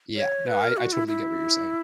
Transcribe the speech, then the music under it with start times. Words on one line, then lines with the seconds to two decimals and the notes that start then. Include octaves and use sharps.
Yeah, no, I I totally get what you're saying.
0.16 C#5
0.47 B4
0.61 A#4
0.77 F#4
0.93 E4
1.08 E4